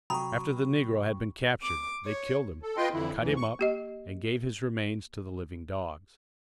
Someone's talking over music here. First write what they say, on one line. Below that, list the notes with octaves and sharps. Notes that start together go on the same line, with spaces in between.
After the negro had been captured, they killed him, cut him up and gave his remains to the living dogs.
C3 F#3 G5 A#5 B5 C#6 D#6
D6
C#5
A4
F4 B4 D#5 G5 C6
F2 D3 E3 E4
D2 G#2 E3
C#6
A#3 G4 D#5